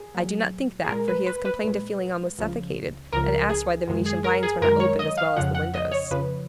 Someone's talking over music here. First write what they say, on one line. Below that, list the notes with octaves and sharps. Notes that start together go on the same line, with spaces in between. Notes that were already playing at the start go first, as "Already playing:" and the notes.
"I do not think that, for he has complained of feeling almost suffocated, and asked why the Venetian blinds were not opened as well as the windows."
Already playing: G#4
A#2 F#3
G#4
A#2 G#3 A#4
B4
B4
B4
A#2 G#3
C#2 C#3 F3
C#2 C#3 F3 A#4
G#4
F#2 D#3 G#3
G#4
A#4
G#4
F#2 D#3 G#3 A#4
C#5
D#5
F5
F2 C#3 F3 F#5
F#5
D#5
C#5
F2 C#3 F3 B4